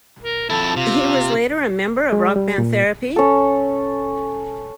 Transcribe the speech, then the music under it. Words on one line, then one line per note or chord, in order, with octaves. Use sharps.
He was later a member of rock band Therapy?
A#4
F2 E4 A4
C3 F4
G#3
G3
A#2
C#4 A4